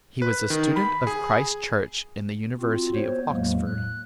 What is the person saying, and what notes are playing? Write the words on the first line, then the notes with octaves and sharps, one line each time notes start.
He was a student of Christ Church in the University of Oxford.
B4
D#3
B5
G#4
C4 F4 F#4
B3 C5 C#5
E2 A2 F#3 G#3 A#3
F#6